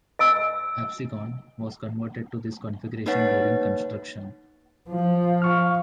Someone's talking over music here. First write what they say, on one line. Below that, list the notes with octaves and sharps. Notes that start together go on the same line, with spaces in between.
"Absecon" was converted to this configuration during construction.
D#5 G#5 E6
A#3 D#4 B4 C#5 F#5 A6
F3
F5 C#6 F6